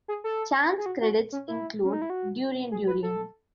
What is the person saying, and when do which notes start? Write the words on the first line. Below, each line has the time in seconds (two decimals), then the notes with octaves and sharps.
Chan's credits include "Durian Durian".
0.08 G#4
0.24 A4
0.78 G#4
0.86 F#4
1.02 F#4
1.32 C#4
1.48 E4
1.84 C#4
1.93 D#4
2.02 E4
2.10 F#4
2.72 G#4
2.87 B4
3.03 A4